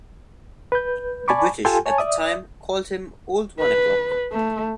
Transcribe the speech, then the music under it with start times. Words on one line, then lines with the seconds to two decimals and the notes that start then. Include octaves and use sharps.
The British at the time called him "old one o'clock".
0.72 B4 G6
1.28 D5 G#5 A5 B5 C#6 D6
1.65 F4 G4 A4 G5 G#5 C6
1.86 C#5 G#5 A5
1.98 D5 E5 D#6
3.60 B4
4.32 A3